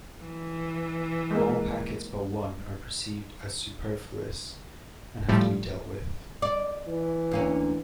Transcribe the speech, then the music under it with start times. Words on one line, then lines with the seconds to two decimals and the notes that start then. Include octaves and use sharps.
All packets but one are perceived as superfluous, and have to be dealt with.
0.21 E3
1.31 G#3 A#3
5.29 A2 F3 G3 A3
6.42 D5
6.87 E3
7.31 D2 A#3 C#4